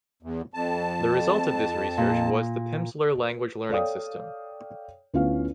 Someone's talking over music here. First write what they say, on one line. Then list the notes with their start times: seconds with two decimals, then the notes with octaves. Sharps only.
The result of this research was the Pimsleur language learning system.
0.23 E2
0.54 F2 A5
1.98 A#2
3.15 B4
3.70 A4 C#5 D5 F5 G5 D#6
5.14 D2 B3 C#4 E4 F4 F5